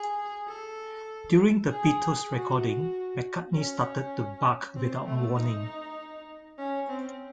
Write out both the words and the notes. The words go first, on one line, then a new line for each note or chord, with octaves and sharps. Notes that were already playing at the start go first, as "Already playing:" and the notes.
During the Beatles recording, McCartney started to bark without warning.
Already playing: G#4
A4
G#4
F#4
C#4
C4
A3
D#4
C#4
C4